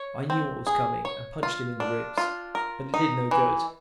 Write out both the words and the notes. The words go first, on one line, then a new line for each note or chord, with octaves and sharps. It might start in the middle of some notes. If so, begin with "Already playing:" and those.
I knew what was coming and punched him in the ribs, but it did no good.
Already playing: C#5
C4
G#4
C#5
F4
D4
F4
A#4
D#4
E3